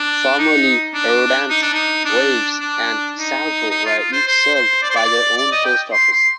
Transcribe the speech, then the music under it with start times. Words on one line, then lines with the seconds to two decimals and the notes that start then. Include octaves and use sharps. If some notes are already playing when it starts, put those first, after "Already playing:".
Formerly Rodanthe, Waves and Salvo were each served by their own post office.
Already playing: D4
0.38 D#4
0.94 D4
1.50 D#4
1.62 D4
1.74 D#4
2.05 D4
2.60 D4
3.16 D#4
3.71 D#4
3.85 F4
3.98 F4
4.12 C5
4.27 C5
4.55 C5
4.82 D5
4.90 C5
4.96 D5
5.37 D5
5.52 D#5
5.65 G5
5.93 C6
6.12 C6